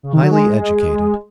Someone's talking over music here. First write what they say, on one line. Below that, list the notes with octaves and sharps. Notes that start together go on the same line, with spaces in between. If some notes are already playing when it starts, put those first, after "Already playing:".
Highly educated.
C#3
D#3
F#3
G#3